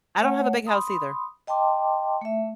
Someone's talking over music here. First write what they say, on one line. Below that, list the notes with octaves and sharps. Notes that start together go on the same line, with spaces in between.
I don't have a big house either.
A3 C#5 F#5
B5 C6 D#6
D#5 G5 A5 C6 D6
A3 E5